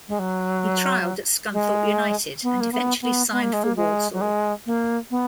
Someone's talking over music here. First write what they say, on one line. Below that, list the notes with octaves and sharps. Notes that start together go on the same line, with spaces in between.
He trialed at Scunthorpe United and eventually signed for Walsall.
G#3
F#3
G#3
B3
A#3
B3
B3
B3
A#3
G#3
A#3
G#3
F#3
G#3
A#3
B3